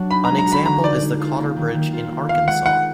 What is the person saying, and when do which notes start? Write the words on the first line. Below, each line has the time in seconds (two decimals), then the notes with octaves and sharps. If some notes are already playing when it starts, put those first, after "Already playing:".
An example is the Cotter Bridge in Arkansas.
Already playing: F#3 D4 F#4
0.11 D#4 B5
0.25 A#5
0.29 G#3
0.38 A#5
0.47 F#4
0.52 B5
0.65 D3 A#5
0.83 D#4 D5
1.02 G#3
1.20 F4
1.38 A#3
1.56 D#3
1.75 D#3
1.93 F4
2.11 A#3
2.29 B3 F5
2.48 G#3 F#5
2.66 D#4 F#5